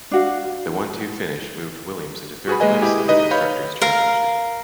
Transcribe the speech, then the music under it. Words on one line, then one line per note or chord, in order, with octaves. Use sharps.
The one-two finish moved Williams into third place in the Constructors' Championship.
D4 F#4 F5
F#4 G#4 B4 B5
G#3 A#3 B4 D#5 G#5
E4 G4 G#4
D#4 B4 D#5 D#6
C#5 F5 B5 G6
A#4 F5